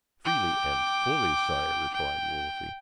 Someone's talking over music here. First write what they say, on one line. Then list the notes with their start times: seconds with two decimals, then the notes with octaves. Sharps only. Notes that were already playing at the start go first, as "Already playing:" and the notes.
"Freely and fully, sire," replied Wolsey.
0.25 G5 D6
1.94 G5